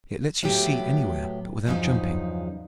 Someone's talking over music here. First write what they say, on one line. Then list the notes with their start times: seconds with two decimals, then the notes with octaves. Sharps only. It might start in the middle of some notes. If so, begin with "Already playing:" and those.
It lets you see anywhere, but without jumping.
0.43 A2 F#3 B3 G4
1.66 E2 G2 C#3 F3 F#3 D#4